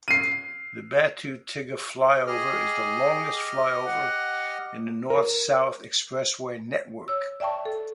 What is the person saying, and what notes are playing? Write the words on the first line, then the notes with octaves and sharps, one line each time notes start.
The Batu Tiga flyover is the longest flyover in the North-South Expressway network.
C7 D#7
G4 G#4 D#5 F6
F#5
A#4
C#5 E6
D5 E5 G5 A5 C#6
A4